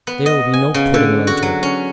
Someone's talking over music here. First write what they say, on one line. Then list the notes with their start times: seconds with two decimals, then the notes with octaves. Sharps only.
There will be no putting an end to it.
0.07 B3
0.26 D#5
0.53 G#5
0.74 C#3
0.94 D3
1.27 F#4
1.42 F#3
1.63 C#4